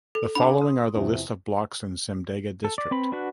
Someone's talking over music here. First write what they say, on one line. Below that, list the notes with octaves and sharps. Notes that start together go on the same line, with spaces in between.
The following are the list of blocks in Simdega district.
A4
D4 F#5 B5 D6
C6 D#6
E2 C3 F3
A4
D5
C4 B4 B5
D4 F#4 B4 F#5